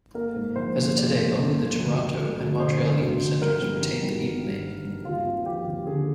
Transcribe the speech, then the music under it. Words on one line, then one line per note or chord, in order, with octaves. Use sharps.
As of today only the Toronto and Montreal Eaton Centres retain the Eaton name.
A#3 A#4
G#2
A#1 C5
A#3
A#3 D5
A#3
A#1
G3
D2
D2
G#3
D2
D3 C5
D3
D2
D3
G2 A#4
G3
D#3
G3
G2
G2
G2
G2
D#2 F4
C4
F3 G4
D#2
D3 G#4